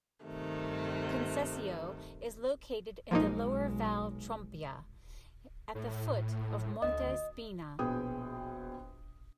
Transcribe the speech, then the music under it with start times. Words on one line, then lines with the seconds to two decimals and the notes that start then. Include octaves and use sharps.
Concesio is located in the lower Val Trompia, at the foot of Monte Spina.
0.25 G2 C3 D#3 A3
3.11 B1 F3 G#3 A#3 D#4
5.75 A2
6.82 D2 D#5
7.79 A#1 B2 B3 G#4 G5 D#6